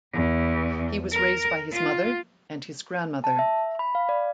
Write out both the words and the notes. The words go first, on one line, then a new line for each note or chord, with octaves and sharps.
He was raised by his mother and his grandmother.
E2
A#4
F4
A5
E5
B5
F5
D5